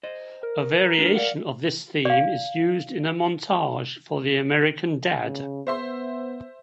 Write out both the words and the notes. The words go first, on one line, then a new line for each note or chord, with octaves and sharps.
A variation of this theme is used in a montage for the American Dad!
C5 D#5
A#4
A2 D4 F#4
D5 F5 F#5
D5 F5
C#3
B3 C5 E5 C6